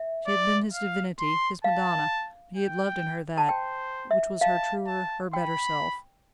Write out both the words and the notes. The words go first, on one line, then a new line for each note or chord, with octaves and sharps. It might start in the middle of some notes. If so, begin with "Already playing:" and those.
She had been his divinity, his madonna; he had loved in her that, which was her truer, her better self.
Already playing: E5
D5
F5
C6
F5 A5
G5
A5
C5 G5
E5
F5 A5
A5
G5 B5